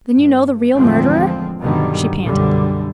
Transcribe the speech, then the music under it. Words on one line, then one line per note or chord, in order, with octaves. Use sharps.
"Then you know the real murderer?" she panted.
G2
E2 A2 D3 F3 G#3 C4
G2 B2 D3 D#3 F#3 G3
B1 F#2 D3 G3